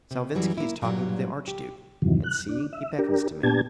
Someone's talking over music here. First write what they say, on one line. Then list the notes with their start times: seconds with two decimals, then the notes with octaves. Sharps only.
Salvinski is talking to the archduke; and see, he beckons to me.
0.11 C3
0.35 F#2 E3 F#3 G3
0.57 A#3 E4
0.81 G2 A#2 E3 F#3 G3
1.48 G4
2.02 E2 G2 C3 D#3 E3 F#3
2.24 F#6
2.49 D4
2.73 E5
2.99 D4 G4 A#4
3.43 A#2 B3 D4 G4 A5 G#6